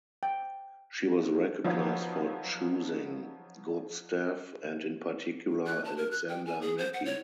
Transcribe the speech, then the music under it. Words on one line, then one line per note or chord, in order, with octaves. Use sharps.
She was recognised for choosing good staff and in particular Alexander Mackie.
G5
F3 F#3 B3 D#4
F#6
A5
A#4
F#6
G5
G#5
G#4
C5
F#5
C#5